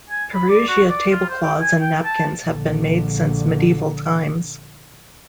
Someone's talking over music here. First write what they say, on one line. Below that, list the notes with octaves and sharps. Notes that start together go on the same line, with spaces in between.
Perugia tablecloths and napkins have been made since medieval times.
G#5
B5
D5
F#4
D5
F4
C5
G5
G#5
G5
A5
A#1 D3